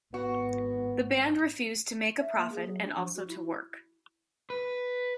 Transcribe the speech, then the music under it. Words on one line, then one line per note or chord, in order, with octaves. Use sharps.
The band refused to make a profit and also to work.
G#1 B3 F#4
E5
A#3
G#4
F#3
D4
F3
F#4
E4
B4